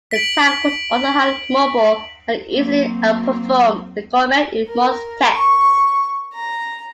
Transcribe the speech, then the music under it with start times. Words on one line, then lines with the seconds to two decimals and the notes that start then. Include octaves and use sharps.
The tank was also highly mobile, and easily outperformed the Comet in most tests.
0.11 B6 D7 F#7
2.52 F#3 A#3 C4
4.67 A#4
5.33 C#6
6.33 A#5